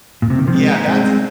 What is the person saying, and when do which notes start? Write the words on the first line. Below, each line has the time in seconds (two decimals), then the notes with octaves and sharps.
Yeah, that's, eh
0.22 A#2
0.30 C3
0.38 D#3
0.47 C3 F3
0.55 G#3 C4
0.71 A#3 D#4
0.88 G#3 C4
1.04 G#3 C4